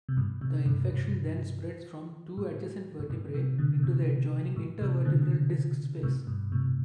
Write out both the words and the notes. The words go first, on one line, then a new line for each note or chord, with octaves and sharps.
The infection then spreads from two adjacent vertebrae into the adjoining intervertebral disc space.
C3
G2 B2
A2 C3
G2 B2
G2
A2
A2
G2 B2
A2 C3
B2 D3
A2 C3
A2
A2 C3
B2 D3
A2 C3
G2 B2
A2 C3